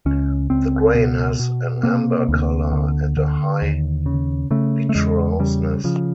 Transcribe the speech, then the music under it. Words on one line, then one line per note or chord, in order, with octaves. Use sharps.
The grain has an amber colour and a high vitreousness.
C#2 C#4
C#2 C4
B2 B3
B2
C3 A#3
D2
D3
D3
D#2
C#3
C#3 A3
A3
E2 G#3
C#3 G3
C#3 F3